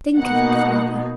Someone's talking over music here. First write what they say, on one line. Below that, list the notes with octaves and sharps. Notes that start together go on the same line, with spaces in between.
Think of it, father.
B2 A#3 D#4 F#5